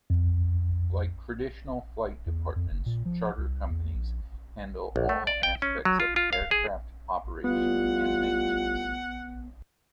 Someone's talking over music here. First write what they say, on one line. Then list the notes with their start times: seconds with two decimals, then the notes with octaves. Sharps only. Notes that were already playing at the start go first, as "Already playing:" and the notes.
Like traditional flight departments, charter companies handle all aspects of aircraft operation and maintenance.
0.10 F2
2.26 E2
2.56 F2
2.71 F#1
2.86 A#2
3.05 F3
3.38 C2
3.70 E2
3.94 A#1
4.96 A#1
5.09 A3
5.27 D5
5.43 G5
5.62 C#4
5.85 F#3
6.00 F4
6.16 F4
6.33 F5
6.51 G#4
7.44 A2 G3 B3 F4 F#5